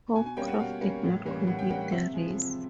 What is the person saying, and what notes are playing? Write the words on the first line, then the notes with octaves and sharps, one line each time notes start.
Hopcroft did not complete the race.
B2 G#5
G#5
G3 A#3 C#4 G5
F#5
B2 F5
G3 A#3 C#4
A2
E3 G3 A#3 C#4
A2 F#5
G5
E3 G3 A#3 C#4 F#5
F#5
C3 E5
F3 G#3
C3